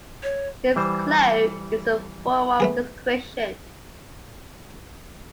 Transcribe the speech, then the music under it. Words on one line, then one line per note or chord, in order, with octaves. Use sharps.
His cloak is a form of discretion.
C#5
E3 G3 C5
A3 B3 G#4